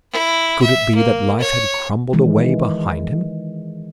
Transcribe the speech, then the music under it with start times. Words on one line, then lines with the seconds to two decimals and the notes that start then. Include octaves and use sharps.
Could it be that life had crumbled away behind him?
0.12 E4
0.62 E5
0.95 A#3
1.40 C#5
2.13 D#3 E3 G#3